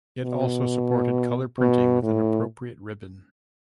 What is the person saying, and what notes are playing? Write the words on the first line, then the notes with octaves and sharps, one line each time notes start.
It also supported color printing with an appropriate ribbon.
B2
B2
A2